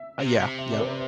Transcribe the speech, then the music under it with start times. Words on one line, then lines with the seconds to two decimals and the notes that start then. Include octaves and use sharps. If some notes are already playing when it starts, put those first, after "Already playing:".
Uh, yeah. Yep.
Already playing: E5
0.20 C3
0.40 C3
0.58 E5
0.72 D5
0.80 B4
0.84 C5